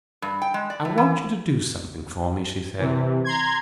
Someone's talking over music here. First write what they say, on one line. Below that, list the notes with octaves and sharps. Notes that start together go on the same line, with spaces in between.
"I want you to do something for me," she said.
G2
G5
G#3
D5
A2
E3
C3 E3
A#5 C6 G#6